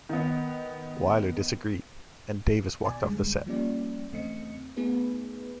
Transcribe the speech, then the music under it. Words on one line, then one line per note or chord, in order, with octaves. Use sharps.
Wyler disagreed, and Davis walked off the set.
D#3 B3
A#1 B2 D5 G#5 D6 A6
F2 D3 G3 G#3
F3 G3 A#3 C#4 G4 D5
E2 C#3 A3 C4 D#5 C#7
A3 B3 D#4 G#4 B4